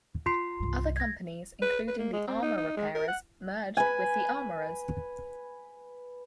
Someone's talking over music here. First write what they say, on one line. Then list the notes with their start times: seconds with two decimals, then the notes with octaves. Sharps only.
Other Companies, including the Armour Repairers, merged with the Armourers.
0.26 F4 C6 C7
0.60 C2 G2
0.97 G#6 A#6
1.62 B4
1.88 B4
1.99 A#3
2.13 G#3
2.28 C4
2.42 D#4
2.57 D#4
2.76 G#3
2.95 A#4
3.08 F#5
3.77 B4 G#5